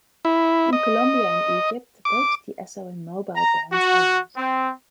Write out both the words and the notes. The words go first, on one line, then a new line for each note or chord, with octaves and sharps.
In Colombia and Egypt, both the Esso and Mobil brands are used.
E4
D#5
D6
A#5
F#4
C4